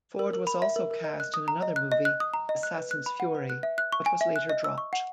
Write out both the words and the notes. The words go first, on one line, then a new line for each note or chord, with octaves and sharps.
Ford was also cast in another movie, "Assassin's Fury", but was later dropped.
A#4
A#4
B5
E5
A#4
A#4
D#5
F#6
D#6
A#5
D#5
F#6
D#5
F#6
D#6
A#5
D#5
F#6
B4
F#6
B5
F#5
B4
F#6
E5
F#6
C#6
G#5
E5
F#6
D#5
E6
C#6
F#5